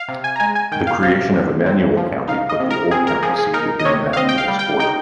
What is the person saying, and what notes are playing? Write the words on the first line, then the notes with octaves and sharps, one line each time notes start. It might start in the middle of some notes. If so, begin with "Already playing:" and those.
The creation of Emanuel County, put the old county seat within Emanuel's border.
Already playing: F5
C3
G#5
A#5
G#3 G#5
G#5
D#3 G5
F5
C3 F5
C3
C4
F3
D#4 F5
D#5
C3
A#4
C4 G#4
A#4
F3 G#4
G#4
D#4 A#4
D#5
C3 C#5
F5
C4 D#5
G5
F5
G3
G5
D#4 G5